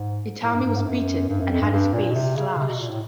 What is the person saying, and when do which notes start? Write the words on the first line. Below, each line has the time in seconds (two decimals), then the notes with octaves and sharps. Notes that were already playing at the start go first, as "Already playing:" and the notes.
Itami was beaten and had his face slashed.
Already playing: G#2
0.43 A2
0.54 G2
0.64 G2
0.75 G#2
0.81 G2
0.87 F#2
1.29 G2
1.40 F#2
1.51 F2
1.61 G2
1.73 G2
1.94 A#2
2.10 B2
2.15 C3
2.36 C#3
2.59 C3
2.69 B2
2.79 A#2
2.90 A2